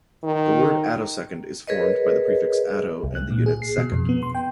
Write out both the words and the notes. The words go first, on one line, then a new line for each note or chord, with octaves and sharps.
The word "attosecond" is formed by the prefix "atto" and the unit "second".
D#3
G#4 A#4 B4 C#5 D#5
C2
F#6
A#2
G#4
C7
B2
F2
B3
C6
G5